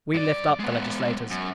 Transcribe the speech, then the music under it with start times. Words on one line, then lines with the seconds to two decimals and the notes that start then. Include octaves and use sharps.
We lift up the legislators.
0.14 G2 D5
0.60 G#3 B3
1.31 F#2